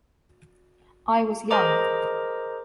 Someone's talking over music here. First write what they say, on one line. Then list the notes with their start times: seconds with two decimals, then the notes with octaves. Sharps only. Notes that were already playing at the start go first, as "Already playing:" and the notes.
I was young.
1.51 G#4 A#4 C5 D#5 A#5 D6